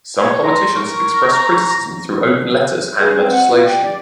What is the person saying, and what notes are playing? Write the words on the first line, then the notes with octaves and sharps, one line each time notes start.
Some politicians have expressed criticism through open letters and legislation.
C#5
A#5 C6
A#4 C#6
A#5
G#4
C4
F#5
F4
G4
D5